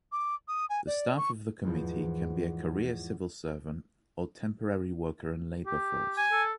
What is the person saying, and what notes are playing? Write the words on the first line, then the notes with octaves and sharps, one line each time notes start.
The staff of the committee can be a career civil servant or temporary worker and labor force.
D6
D#6
G#5
D5
C#6
E2 G#2 F3
G4
G#5
A4